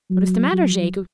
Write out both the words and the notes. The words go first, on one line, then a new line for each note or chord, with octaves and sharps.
'What is the matter, Jegu?
F#3
F#3